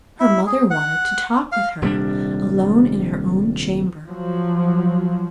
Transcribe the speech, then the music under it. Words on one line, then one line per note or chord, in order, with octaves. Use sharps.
Her mother wanted to talk with her alone in her own chamber.
E4
G#4
F#5
F5
D#1 C3 G3 D4
F3 F#3